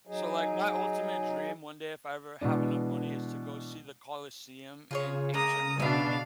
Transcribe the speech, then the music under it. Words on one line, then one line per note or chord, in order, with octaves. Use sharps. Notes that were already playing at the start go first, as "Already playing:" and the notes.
So, like my ultimate dream one day, if I ever have enough money is to go see the Colosseum in ancient Rome.
F#3 D#4 G#4
B2 E3 G#3 D4
C#3 F4 G#4 C#5
G#3 A#3 A#5 D#6
B2 D4 E4 B4 F5